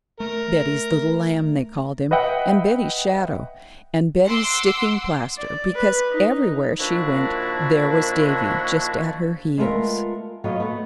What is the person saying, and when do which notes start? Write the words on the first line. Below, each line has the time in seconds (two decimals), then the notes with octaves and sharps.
Betty's little lamb, they called him, and Betty's shadow, and Betty's sticking-plaster, because everywhere she went there was Davy just at her heels.
0.20 A3 A#4
2.11 B4 D#5 E5 F#5 G5
4.24 F#5 C6 D6 E6
5.37 D5
5.75 B4
6.11 D#4
6.79 A#2 D#3 F3 D4 E4 F#4
9.58 G#3 A3 B3 F4 F#4 A#4
10.44 A2 F#3 F4 C#5 D#5
10.60 A3 B3